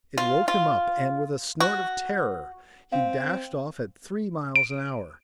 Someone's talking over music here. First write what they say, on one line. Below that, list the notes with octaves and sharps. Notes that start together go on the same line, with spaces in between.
It woke him up, and, with a snort of terror, he dashed off at three miles an hour.
F4
F4
F#4
C4 F5
D7